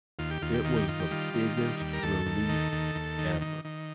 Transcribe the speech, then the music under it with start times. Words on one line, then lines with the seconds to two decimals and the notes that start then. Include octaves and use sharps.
It was the biggest relief ever.
0.19 D#2 F4
0.31 G4
0.42 D#2 F4
0.54 G4
0.65 D#3 F4
0.76 G4
0.88 D#3 F4
1.00 G4
1.11 G3 F4
1.34 D#3
1.57 G3
1.80 D#2
1.93 A#4
2.03 D#2 A4
2.26 D#2
2.49 D#3
2.72 D#2
2.95 D#2
3.18 D#3
3.41 D#3
3.65 D#3